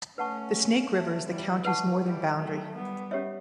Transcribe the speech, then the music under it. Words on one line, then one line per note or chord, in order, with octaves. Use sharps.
The Snake River is the county's northern boundary.
A3 C#4 B4 F#5 A5 C#6
F#3 A3
E3 G3
B4 F#5 A5 C#6
E3 G3
F#3 A3
G3 B3
C#4 G4 C#5 E5